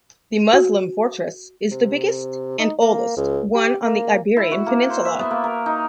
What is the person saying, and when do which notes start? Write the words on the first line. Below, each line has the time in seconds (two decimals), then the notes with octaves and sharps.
The Muslim fortress is the biggest and oldest one on the Iberian peninsula.
0.53 F#4
1.71 C3
2.59 D#4
2.81 A#3
3.16 C#2
3.54 G4
3.83 A#3
4.37 E4
4.52 F#4
4.66 A#3
4.90 C5
5.05 E5
5.19 B3
5.31 A#3
5.44 A#4
5.66 D#4